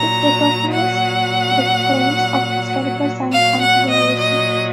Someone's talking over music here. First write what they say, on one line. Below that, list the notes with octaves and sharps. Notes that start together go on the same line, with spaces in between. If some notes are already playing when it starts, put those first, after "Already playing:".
It recognised the claims of historical science and pure reason.
Already playing: A#2 F#3 A#5
F#5
A#2 F#3 F5
F#5
D#5
D#5